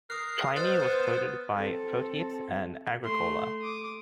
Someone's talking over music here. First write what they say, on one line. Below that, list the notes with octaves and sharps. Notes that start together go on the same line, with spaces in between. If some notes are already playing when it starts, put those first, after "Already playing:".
Pliny was quoted by Photius and Agricola.
A#4 D#6 F#6 C7
B2 C5 F6 F#6 A6
B3
C4 A4
A3 C6
D6 D#6